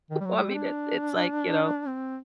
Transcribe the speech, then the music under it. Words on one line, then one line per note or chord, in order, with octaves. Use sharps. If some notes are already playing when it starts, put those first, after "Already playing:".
I mean, it it's like, you know
D#3
G3
F#3
G3
C4
D4
C4